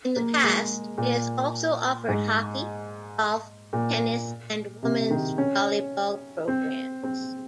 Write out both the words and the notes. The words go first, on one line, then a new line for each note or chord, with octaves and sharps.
In the past, it has also offered hockey, golf, tennis, and women's volleyball programs.
A#3
G#3
A#2
G#2
A#2
C3
D#3
C#4
C4
C4